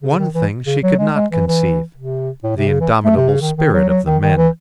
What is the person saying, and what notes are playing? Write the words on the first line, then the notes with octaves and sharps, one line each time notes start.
One thing she could not conceive--the indomitable spirit of the men.
C#3
D#3
E3
C#3
F#3
G#3
G#3
E3
E3
C3
A2
C3
C#3
E3
A3
C3
C#3
D#3
D#3
F#3
F#3
D#3
D#3
E3